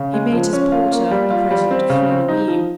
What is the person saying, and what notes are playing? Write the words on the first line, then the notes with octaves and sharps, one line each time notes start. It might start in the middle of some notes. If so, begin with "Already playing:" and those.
He made his porter a present of three louis.
Already playing: C#3
G#3
F3
C#4
F4
A#3
G3
F4
G3
C4
C#3
C4
D#4
F3